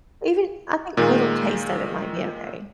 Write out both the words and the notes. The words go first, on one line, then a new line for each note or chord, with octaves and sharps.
Even I think little taste of it might be okay.
A#2 D#3 G#3